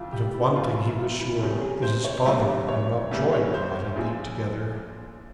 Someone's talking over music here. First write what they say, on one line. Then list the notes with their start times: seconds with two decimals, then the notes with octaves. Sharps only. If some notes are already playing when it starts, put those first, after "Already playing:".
But of one thing he was sure, that his father and Mountjoy were not in league together.
Already playing: F2 C#3 E4 F4
0.12 G4
0.34 E4
0.55 E1 E2 E3 F4
0.70 F4
0.76 E4
0.98 F4
1.20 E4
1.40 E1 E2 C3 G3 C#4
1.61 G#4
1.82 C5
2.04 C#5
2.26 G#1 G2 F3 A#3 E5
2.68 C#5
3.11 E2 C#3 G3 A#3 E5
3.33 C#5
3.54 C5
3.96 A#1 A#2 F3 G#4